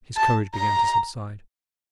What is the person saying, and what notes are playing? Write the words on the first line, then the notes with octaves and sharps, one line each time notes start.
His courage began to subside.
A5
A#5